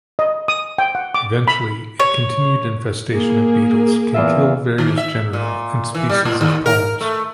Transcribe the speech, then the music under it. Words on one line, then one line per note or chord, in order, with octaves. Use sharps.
Eventually a continued infestation of beetles can kill various genera and species of palms.
D#5
D#6
G5
F#5
D6
B5
C#5
A#3 G#4
E2 F4 E5
D#3
E5
A#2
E3
G3
A2
D#2
A#4
A3